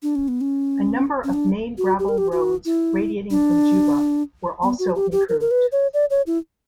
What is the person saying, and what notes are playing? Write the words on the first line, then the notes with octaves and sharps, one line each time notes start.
A number of main gravel roads radiating from Juba were also improved.
D4
C#4
B3
C#4
C#4
D4
F#4
G4
A#4
G4
F#4
E4
D4
B3
F#4
G4
G4
A#4
A#4
B4
C#5
D5
C#5
E4